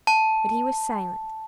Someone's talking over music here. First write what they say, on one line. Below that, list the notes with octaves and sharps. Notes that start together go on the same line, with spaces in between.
But he was silent.
A5